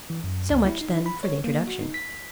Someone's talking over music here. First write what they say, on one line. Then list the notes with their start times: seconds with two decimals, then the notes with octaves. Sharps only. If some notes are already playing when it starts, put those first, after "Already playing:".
So much, then, for the introduction.
0.10 E3
0.24 F#2
0.50 C#2
0.66 E4
0.81 D#4
1.06 B5
1.23 C#5
1.44 A#3
1.67 F#4
1.81 D#4
1.94 B6